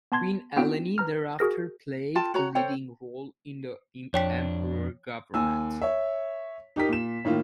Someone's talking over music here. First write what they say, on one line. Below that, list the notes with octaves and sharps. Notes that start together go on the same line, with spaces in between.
Queen Eleni thereafter played a leading role in the Emperor's government.
B3 A5 C6 G#6
B3 C4 D4 E4 F#4 G5
B4 A#5 F6
F#4 G#4 A#4 A#6
F4 A4 G5 A5
F#4 C#5 A#5
A4 C5 C#5 G5
F2 D4 C#5 G5 B6
D#2 G#5 E6
C#5 E5
D#4 G4 A#4 B6
A#2 E7
A2 D#3 A#3 F4